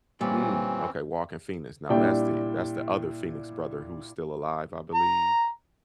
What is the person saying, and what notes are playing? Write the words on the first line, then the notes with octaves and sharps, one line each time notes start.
Mm, okay. Joaquin Phoenix. Now, that's the that's the other Phoenix brother who's still alive, I believe.
A#2 E3 G3 C4 C#4
A#2 G3 D4 E4 G5
A#5